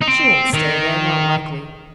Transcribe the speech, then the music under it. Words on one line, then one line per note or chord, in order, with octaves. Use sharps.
She won't stay there, not likely.
D#4
C4
D#3